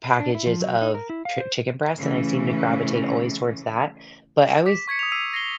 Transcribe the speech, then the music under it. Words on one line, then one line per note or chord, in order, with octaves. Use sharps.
packages of chi chicken breast, and I seem to gravitate always towards that, but I always
D4
E4
F3
F#3
D#4
A#4
E4
F5
C5
C#3 E3 A3 C#4
D6 B6
C#6 G#6 B6 C#7
D#6 F7
E6 C7 D#7 F7
A#6 C7 G7